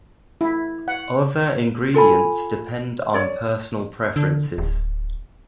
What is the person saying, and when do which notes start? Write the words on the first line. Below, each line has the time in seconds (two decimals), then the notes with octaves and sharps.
Other ingredients depend on personal preferences.
0.41 E4
0.88 F#5
1.94 F4 A4 G#5 B5
3.14 C#5 D5
4.16 D3
4.58 D1